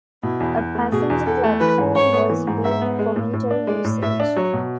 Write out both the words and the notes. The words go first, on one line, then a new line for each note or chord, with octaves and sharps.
A passenger platform was built for military usage.
B2 E4
E2
E2
A3
B2 G#4
E2
E2 A4
A3
E3 B4
G#2
G#2 C#5
B3
E3
G#2
G#2 E5
B3
G#3
A2
A2
D4
G#3 D5
A2
A2 E5
D4
F#3 C#5
B2